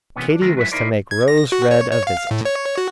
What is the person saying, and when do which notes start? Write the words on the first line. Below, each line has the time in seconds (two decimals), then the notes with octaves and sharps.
Katy was to make Rose Red a visit.
0.16 C3 D#3 E3 B3 C#4
0.29 D4
0.41 D#3 G#3 A3 A#4
0.57 F#3 G#3 E4 F#4 E5
0.72 D#4 E4 A#4 C5 D5
1.11 G#6
1.28 A#6
1.52 F#4
1.71 C#5
1.93 C#5
2.07 F5
2.31 A2
2.45 C#5
2.78 F#4